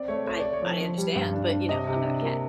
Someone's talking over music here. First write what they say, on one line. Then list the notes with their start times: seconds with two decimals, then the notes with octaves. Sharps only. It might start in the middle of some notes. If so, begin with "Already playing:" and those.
I I understand, but, you know, I'm not a cat.
Already playing: C4 D5
0.08 A3 C#5
0.26 A3 C#5
0.40 A3 D5
0.53 C#5
0.62 F3
0.80 F3
0.98 G3
1.15 G2
1.33 D4
1.51 D4
1.68 C3 D#5
1.87 C3
2.04 D4
2.22 A#3